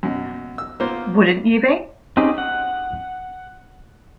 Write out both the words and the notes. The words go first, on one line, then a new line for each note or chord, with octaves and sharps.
Wouldn't you be?
F#2 B2
E6
A#3 B3 F4 C5
C4 C#4 D#4 G4 G#4
F#5